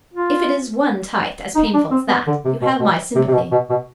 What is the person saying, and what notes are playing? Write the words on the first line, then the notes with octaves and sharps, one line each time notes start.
If it is one tithe as painful as that, you have my sympathy.
F4
D#4
D4
C4
B3
D3
C3
B2
B2
C3
C3
B2
B2
B2